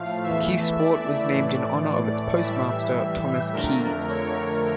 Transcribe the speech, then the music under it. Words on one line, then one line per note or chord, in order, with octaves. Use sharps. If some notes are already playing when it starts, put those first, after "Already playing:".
Keyesport was named in honor of its postmaster, Thomas Keyes.
Already playing: A2 F3 A3 F5
E2 E3 A3 E5
D5
A2 E3 A3
A2 E3 G3 E5
F2 D3 A3 A#4
C#5